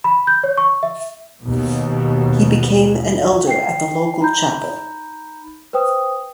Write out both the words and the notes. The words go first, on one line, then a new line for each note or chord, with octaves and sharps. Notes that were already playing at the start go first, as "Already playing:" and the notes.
He became an Elder at the local chapel.
B5
G6
C#5
C#6
E5
D#2 B2
G5 C7
D#4 A#5 B5 G6
B4 C5 G5 D#6